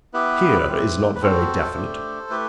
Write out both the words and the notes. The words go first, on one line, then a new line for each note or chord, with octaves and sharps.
'Here' is not very definite.
B3 E4 G4 B4
C4 E4 G4
B4
C4 F#4 A4 C5
A3 D4 G4
A3 E4 G4 B4